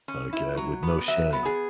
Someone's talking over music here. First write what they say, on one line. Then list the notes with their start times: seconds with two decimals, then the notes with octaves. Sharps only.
Okay? With no shame.
0.08 C#4
0.33 E4
0.57 F#3
0.83 B3
1.08 F#3 E5
1.33 B3
1.45 G#4